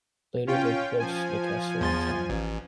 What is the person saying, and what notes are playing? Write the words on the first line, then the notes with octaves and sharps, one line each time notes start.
Later, they pledged the castle and town.
C#4 F4 G5
F3 G#5
E2 C6 A6
A1